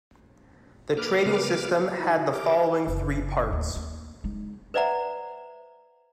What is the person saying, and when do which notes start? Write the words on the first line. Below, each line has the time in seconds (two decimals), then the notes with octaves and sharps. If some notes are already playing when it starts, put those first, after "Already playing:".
The Trading System had the following three parts.
0.97 A#3 B4 D6 F6
1.26 C#3 A#3 B3
1.99 D#4 E4 F#4
2.33 G4 A#4 D6
2.87 F#1
3.50 D#2 A2
3.76 D#2
4.24 G#3 D#4
4.74 B4 C5 D5 E5 F#5 A#5